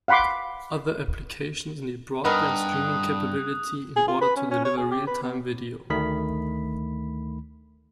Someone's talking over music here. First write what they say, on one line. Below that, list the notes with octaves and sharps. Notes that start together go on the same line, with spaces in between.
Other applications need broadband streaming capability in order to deliver real-time video.
F5 F#5 B5 C6 D6
G2 B3 D#4 A#4 D#6 F#6
G#4
F4
B4
C#4
C#4
C#5
G#4
G4
B4
B3
D2 D#3 A3 B5 B6